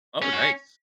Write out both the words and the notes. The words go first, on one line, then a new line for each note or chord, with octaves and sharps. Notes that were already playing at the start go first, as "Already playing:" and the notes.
Oh, nice.
C#4
F#4